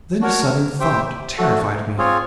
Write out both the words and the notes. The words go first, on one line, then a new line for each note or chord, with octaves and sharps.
Then a sudden thought terrified me.
D4 F#4 A#4 C#5
G4 C5 E5 G5
A3 D4 F#4 A4
C4 F4 G#4 C#5